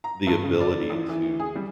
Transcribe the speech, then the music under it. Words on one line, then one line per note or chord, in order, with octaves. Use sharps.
the ability to
A#5
G2
C#3
D5
A1
E3
G#4
G3